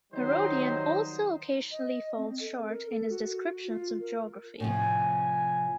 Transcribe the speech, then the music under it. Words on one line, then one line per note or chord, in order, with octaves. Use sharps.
Herodian also occasionally falls short in his descriptions of geography.
D#3 F#3 G3 D#4 C5
D#5
C4
A4
A#4
A4
F#4
F4
A#4
A2 C3 F3 G#5